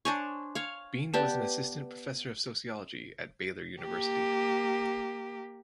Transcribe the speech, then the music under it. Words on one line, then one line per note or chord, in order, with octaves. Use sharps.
Bean was an assistant professor of sociology at Baylor University.
D4 C5 C#5 G#5 C#6
C#5 F5
B3 G4 B4 D5 A5
A#3 G4